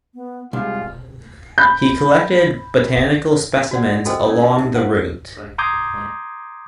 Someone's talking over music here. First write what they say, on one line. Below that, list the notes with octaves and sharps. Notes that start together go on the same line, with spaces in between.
He collected botanical specimens along the route.
B3
C2 G#3 F4
B5 G6
F#4 D5 F#5
F#4 A4 A#4 C5 D#5 G5
C#4 A#4 D5
F4 A#4
D#4 G4 E5
C5 F5 F#5
A#5 C6 D6 D#6 G6 G#6